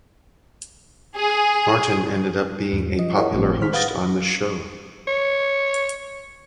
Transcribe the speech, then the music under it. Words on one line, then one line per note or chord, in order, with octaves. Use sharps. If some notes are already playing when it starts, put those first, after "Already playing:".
Martin ended up being a popular host on the show.
G#4
E2 G#2
F3 D#5
E4 G#4 A#4 C#5 D#5 F#5
G#1 A2 F3 C4
D#3 G#3 C5 F6 B6
B4 F5 F#5 D#6 A6 A#6
C#5